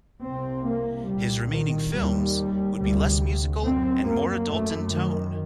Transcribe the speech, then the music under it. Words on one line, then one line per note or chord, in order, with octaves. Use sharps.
His remaining films would be less musical and more adult in tone.
C2 C3 C4
A#3
C2 A#2 G3
D#3
D#2 G3
D2 C3 G3
F#2 C4
A#3
F#2 A3
D#3